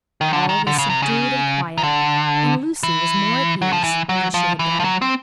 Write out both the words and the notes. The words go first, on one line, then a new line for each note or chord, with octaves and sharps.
All was subdued and quiet, and Lucie was more at ease than she had been.
D#3
D3
D#3
D3
C#3
C3
C#3
D#3
D3
E3
F#3
F3
E3
F#3
F3
E3
F3
F#3
C4